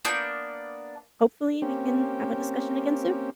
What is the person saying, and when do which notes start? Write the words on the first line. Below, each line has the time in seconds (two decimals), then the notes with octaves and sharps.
hopefully we can have a discussion again soon.
0.05 A#3 B3 D4 G6
1.62 A#3 C4 C#4 G4